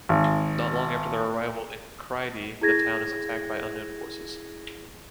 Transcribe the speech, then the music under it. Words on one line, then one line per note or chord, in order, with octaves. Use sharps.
Not long after their arrival in Crydee, the town is attacked by unknown forces.
G#1
E4 G#4 G#6 A#6